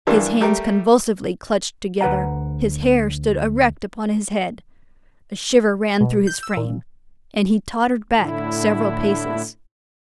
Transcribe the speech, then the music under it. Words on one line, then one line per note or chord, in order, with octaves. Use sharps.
His hands convulsively clutched together; his hair stood erect upon his head; a shiver ran through his frame; and he tottered back several paces.
G2 E3 A#3 D4
G3 A3 G4 A#4
D2 B4 F#5 A#5
B2
G6
E6
A#2
A2 D3 E4